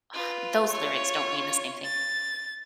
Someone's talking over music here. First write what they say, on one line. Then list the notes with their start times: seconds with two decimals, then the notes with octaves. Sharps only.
Um, those lyrics don't mean the same thing.
0.13 F4 B4
0.70 F4 C#5
1.84 A6